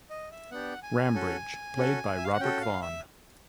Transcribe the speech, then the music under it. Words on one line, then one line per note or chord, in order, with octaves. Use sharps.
Rambridge, played by Robert Vaughn.
D#5
E5
B3 D4 G4 F#5
G#5
C#4 F#4 A4
C#4 F#4 A4
E5
F5
F#5
C#4 F#4 A4 G5
F5
E5